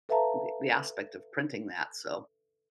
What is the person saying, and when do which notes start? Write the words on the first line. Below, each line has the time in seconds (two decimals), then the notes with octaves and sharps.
we we aspect of printing that, so
0.09 A4 B4 E5 F5 A5 A#5